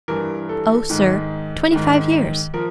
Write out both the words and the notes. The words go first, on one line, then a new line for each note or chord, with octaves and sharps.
"Oh, sir, twenty-five years."
G2 E3 A#4
A4
G#2 D#3
G#2 D#3
F3 A#4